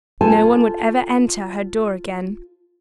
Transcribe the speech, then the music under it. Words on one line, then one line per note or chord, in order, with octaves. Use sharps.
No one would ever enter her door again.
F4 A4 C5 G#5 A5